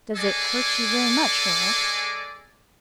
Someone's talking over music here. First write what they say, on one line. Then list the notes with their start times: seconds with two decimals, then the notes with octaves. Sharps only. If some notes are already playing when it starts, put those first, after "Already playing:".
"Does it hurt you very much, Hoyle?"
0.16 G#3 G#4 A4 D5 G#5